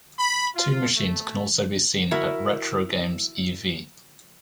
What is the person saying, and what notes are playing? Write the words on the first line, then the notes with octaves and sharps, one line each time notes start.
Two machines can also be seen at RetroGames e.V.
B5
F4
A3
E4 F#4 A#4 E5